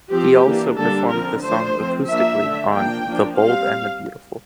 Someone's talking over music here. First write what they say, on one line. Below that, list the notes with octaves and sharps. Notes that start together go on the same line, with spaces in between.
He also performed the song acoustically on "The Bold and the Beautiful".
F3 C4 G4
E3 A#3 D4
D3 G3 A#3 D4 A4
D3 F3 C4 A#4
F3 A3 D4 C5
F3 A3 C4
F3 A#3 D4 E5
D3 A3 D4
F3 A#3 D4 G5
F3 A#3 D4
G3 C4 F5